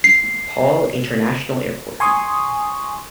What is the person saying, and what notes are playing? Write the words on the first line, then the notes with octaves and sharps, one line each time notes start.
Paul International Airport.
C7
G#5 C6 C#6 D#6